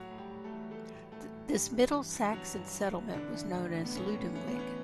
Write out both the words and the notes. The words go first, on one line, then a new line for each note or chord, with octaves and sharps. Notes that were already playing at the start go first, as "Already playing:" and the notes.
This Middle Saxon settlement was known as Lundenwic.
Already playing: A2 F#3 F#4
A2
G3 G4
A2
A3 A4
E3
E3 A3 A4
A2
E3 A3 A4
A2
G2 G3 G4
E3
E3
E3
E3 F#3 F#4
G2
E3
E3
D3 E3 D4
E3
A2
A2
B3
A2 C#4
A2
E3 C#4
B3
E3 C#4